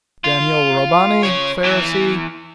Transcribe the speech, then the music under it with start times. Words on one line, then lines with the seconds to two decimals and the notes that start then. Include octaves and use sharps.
Daniel Robani, Pharisee.
0.24 F4
1.23 C#3 C#5
1.63 E2 E3